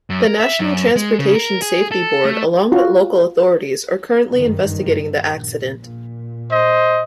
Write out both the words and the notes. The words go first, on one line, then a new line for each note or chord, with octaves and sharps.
The National Transportation Safety Board along with local authorities are currently investigating the accident.
F#2
A#4
E5
F#2
G#3
C#3
A#4
G#4
A4
A3
F4 F#4
F#1 G2 D#3
A#1
A#2
C5 D#5